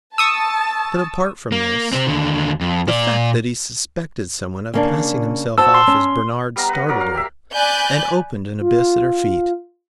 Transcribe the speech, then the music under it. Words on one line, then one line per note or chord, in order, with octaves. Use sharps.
But, apart from this, the fact that he suspected someone of passing himself off as Bernard startled her, and opened an abyss at her feet.
A5 C#6 D#6 E6
A#3
C3 C4
D#2 D3
F2
A#2 D5
C#3 A#3 D4
F#4 C5 A5 E6
C6
C#4
G3 B3 F5 A#5
B4 F#5
F#3 A#4 D5
F5
G4 A#4 E5
D5 G#5 B5 F#6 G6
F4